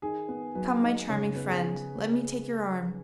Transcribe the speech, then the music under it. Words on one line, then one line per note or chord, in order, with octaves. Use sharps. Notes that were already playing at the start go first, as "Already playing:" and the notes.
Come, my charming friend, let me take your arm.
D#3 G#4
B3
F#3 B4
D#3 D#5
C#3 C#5
C#5
B3 B4
G#4